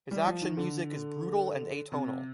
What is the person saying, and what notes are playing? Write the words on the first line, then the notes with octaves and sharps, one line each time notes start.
His action music is brutal and atonal.
G3
F3
D#3
D3
C3